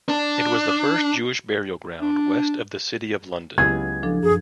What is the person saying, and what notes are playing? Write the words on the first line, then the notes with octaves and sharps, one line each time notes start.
It was the first Jewish burial ground west of the City of London.
D4
D4
C#2 F#3 B3 E4 G4 G#4 G#6
F3 D4 A4
F#2 G#4